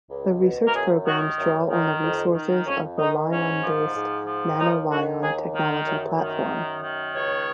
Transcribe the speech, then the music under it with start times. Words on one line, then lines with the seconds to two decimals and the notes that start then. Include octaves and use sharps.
The research programs draw on the resources of the Lyon-based Nanolyon technology platform.
0.09 C#2
0.42 B2
0.66 A#4
0.74 F#2 G#4
1.05 D#3 F#4
1.37 F#2
1.69 D#3
2.02 F2
2.33 D#3
2.66 F2 C#4
2.97 D#3 D#4
3.29 G#2 C#4
3.62 F3
3.94 G#2
4.25 F3
4.57 D#2 D#4
4.89 D#3 F#4
5.21 D#2 G#4
5.53 D#3
5.86 F#2
6.17 D#3
6.50 F#2
6.81 D#3
7.13 C#2 C#5